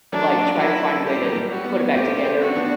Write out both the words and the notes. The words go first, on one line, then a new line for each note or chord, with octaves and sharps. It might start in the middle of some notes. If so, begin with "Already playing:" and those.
Like, try to find a way to put it back together,
F#3 A3 D4
F#3 E4
G3 G4
F#3
G3
F#4
G3 B3
A3 C4 G4
A3 C4
F#4
B3 D4